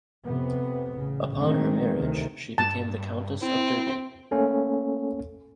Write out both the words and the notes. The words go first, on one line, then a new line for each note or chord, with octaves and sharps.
Upon her marriage she became the Countess of Derby.
F2 C3 B3
A1 C#3
D#3 F#3 G#3 A3 C4
D2 C3 D#3
G2 A5
C4 E4
A3 A#3 C#4 A4